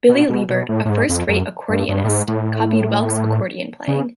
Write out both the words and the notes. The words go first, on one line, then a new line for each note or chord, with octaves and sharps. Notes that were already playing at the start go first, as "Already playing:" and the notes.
Billy Liebert, a first-rate accordionist, copied Welk's accordion playing.
B2
B2
B2
A2
A2
G#2
F2
F#2
G2
G2
A2
G#2
A2
C#3